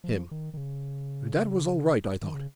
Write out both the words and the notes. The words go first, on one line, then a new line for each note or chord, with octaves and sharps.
HIM: That was all right, I thought.
F3
D#3
D#3
C#3
D#3
C#3